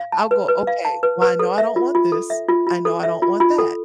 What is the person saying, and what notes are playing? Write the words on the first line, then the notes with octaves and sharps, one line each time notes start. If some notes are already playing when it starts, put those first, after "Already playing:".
I'll go, "Okay, well, I know I don't want this, I know I don't want that."
Already playing: F5
A5
B4
B4
F5
A5
B4
B4
A4
E5
F4
F4
A4
E5
F4
F4
A4
E5
F4
F4
A4